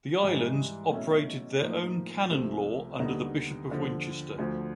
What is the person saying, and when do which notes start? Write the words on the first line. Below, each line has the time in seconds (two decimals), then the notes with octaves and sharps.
The Islands operated their own Canon Law under the Bishop of Winchester.
0.22 G#2 E3 G3
0.91 B2 F#3 A3 C#4 E4
1.61 A2 F3 A#3 D#4
2.31 C2 C3 F3 A3
3.00 D#2 D3 G3 B3 D#4
3.69 D#2 D3 F3
4.38 D2 D3 F3